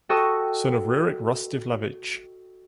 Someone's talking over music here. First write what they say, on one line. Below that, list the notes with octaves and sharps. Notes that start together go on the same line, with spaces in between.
Son of Rurik Rostislavich.
F#4 A4 D#5 G5 C#6 E6